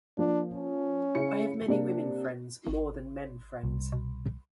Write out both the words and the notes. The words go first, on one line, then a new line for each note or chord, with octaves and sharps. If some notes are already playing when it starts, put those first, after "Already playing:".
I have many women friends, more than men friends.
F3 A#3 D4
C#4
C#3 E4 C#7
C3 A#3 D4
G#1
C2
B2